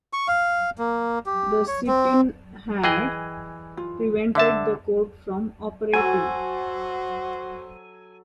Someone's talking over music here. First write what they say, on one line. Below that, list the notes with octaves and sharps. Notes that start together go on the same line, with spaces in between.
The sit-in had prevented the court from operating.
C#6
F5
A#3
G4
C#5
C4
E3 G#4 D#5 G5
F4
D3 D5 E5 A5
F#3 F#4 A4 C5 G#5